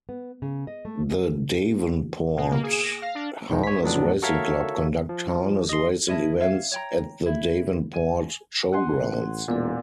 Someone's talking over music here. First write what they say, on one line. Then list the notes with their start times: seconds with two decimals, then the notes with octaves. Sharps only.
The Devonport Harness Racing Club conduct harness racing events at the Devonport Showgrounds.
0.09 B3
0.42 C#3
0.67 D#5
0.85 A3
2.37 B2
2.51 A#3
2.63 G#4
2.83 A#6
3.02 F5
3.15 D4
3.50 B1 D#3 G#3 D#4
3.64 C#5 B6
3.82 F2 A2 F#3 B3 D4
4.22 F#4 A4 A#4 C#5 E5 F5
5.09 F3
5.69 D#5 C6
6.07 C#4 E4 D#5 A5
6.40 C#4 E5 F5
6.72 C#5 G5 A#5
7.26 E4
7.93 G#5
8.72 F#5 G#5 C6
9.01 A1
9.48 E1 A#2 B3 D5